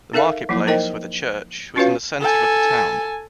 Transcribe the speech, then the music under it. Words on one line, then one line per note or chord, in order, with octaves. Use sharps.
The market place with a church was in the centre of the town.
D#4 A4 A#4 E5 F5
F3 F#3 A#3 E4
D#4 A#4 C5 D#5 G5
C#4 F4 F#4 B4 C#5 F5
A4 G#5